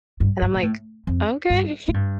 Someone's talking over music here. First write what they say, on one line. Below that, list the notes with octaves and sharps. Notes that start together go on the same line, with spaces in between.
and I'm like, "Okay.
G2
G2
A#2
A2
F2
G2
A2
G2